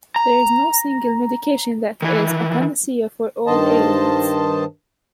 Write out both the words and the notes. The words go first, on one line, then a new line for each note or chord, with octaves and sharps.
There is no single Medication that is a Panacea for all ailments.
A#5
D#3 E3
G2 D#3 C5 D#5 A5